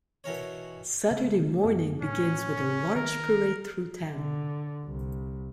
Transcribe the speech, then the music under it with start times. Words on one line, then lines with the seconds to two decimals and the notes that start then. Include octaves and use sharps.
Saturday morning begins with a large parade through town.
0.24 B2 E3 A#4 C#5
1.11 C#3 A3
1.64 F#2 B3
2.02 A2 C#4
2.96 D#3 A#4
4.07 D3
4.85 C2